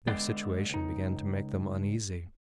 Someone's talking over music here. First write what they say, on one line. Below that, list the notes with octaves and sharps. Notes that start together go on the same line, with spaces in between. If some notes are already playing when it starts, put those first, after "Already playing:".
Their situation began to make them uneasy.
D3 G#3 B3 D5 F5 G5
C#2 D#4